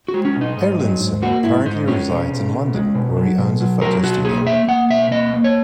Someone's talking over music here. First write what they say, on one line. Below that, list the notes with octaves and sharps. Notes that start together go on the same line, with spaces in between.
Erlandsson currently resides in London where he owns a photo studio.
F#4
G#3
C#4
B2
D#4
G#2
F#3
G#2
A#3 F#4
G#2 E4
G#2 D#4
G#3 C#4
B2
B2
B2
G#3
B2
F#3
B2
F#3
F#3 A#4
B2 F#4
A#3 G#4
A#3 E5
A#3 F#5
B2 E5
A#3 D#5
A#3
C#5